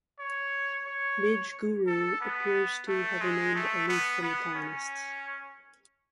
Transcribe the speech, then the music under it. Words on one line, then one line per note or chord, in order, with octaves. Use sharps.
Midgegooroo appears to have remained aloof from the colonists.
C#5
C#5
A4
B3
A3
G#3
A3
B3
B3
C#4